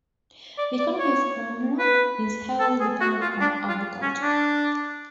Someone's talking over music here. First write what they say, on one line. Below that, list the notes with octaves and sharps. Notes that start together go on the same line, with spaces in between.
The economy of Kanra is heavily dependent on agriculture.
D5
D5
C#5
B4
A4
G#4
F#4
F4
D4
F4
C#4
D4